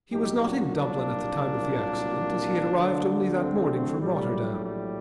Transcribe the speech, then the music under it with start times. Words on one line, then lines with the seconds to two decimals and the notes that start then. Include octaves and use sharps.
He was not in Dublin at the time of the accident as he had arrived only that morning from Rotterdam.
0.12 C2 A#2 F#3 D#4 G4
0.45 D4 F#4
0.77 A#3 D4
1.41 C2 A#2 F#3
2.71 D2 D3 F#3
3.34 A3 C4
3.99 A#1 A2 F#3 G3
4.63 G3